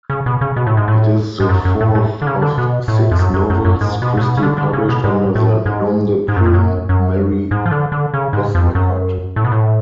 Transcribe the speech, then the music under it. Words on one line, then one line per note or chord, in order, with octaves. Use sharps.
It is the fourth of six novels Christie published under the nom-de-plume Mary Westmacott.
C#3
B2
C#3
B2
A2
G#2
A2
G#2
F#2
F#2
A2
A2
D3
C#3
D3
B2
A2
F2
F#2
F#2
F#2
F#2
G#2
B2
A2
B2
C#3
D3
D3
C#3
B2
G#2
A2
G#2
G#2
F#2
F2
F#2
F#2
G#2
F3
D3
D3
C#3
G#2
F2
F#2
A2
B2
A2